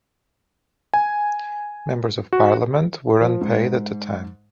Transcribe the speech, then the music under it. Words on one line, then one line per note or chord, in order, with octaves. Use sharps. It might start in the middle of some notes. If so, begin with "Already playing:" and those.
Members of parliament were unpaid at the time.
G#5
F#4
F3
G#2